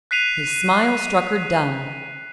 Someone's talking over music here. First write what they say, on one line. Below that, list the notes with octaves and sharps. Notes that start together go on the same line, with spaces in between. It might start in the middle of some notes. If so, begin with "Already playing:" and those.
His smile struck her dumb.
F#6 B6 C7 D#7 F7